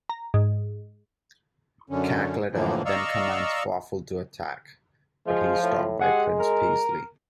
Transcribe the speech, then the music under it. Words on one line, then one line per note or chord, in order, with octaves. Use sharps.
Cackletta then commands Fawful to attack, but he is stopped by Prince Peasley.
A#5
G#2
F#2 D3 C#4
A2 D3 E3 F3 A#3
D5 D#5 F5 A#5 C#6 E6
F3 G#3
A2
G#3 G4 G#4 F#5
A#4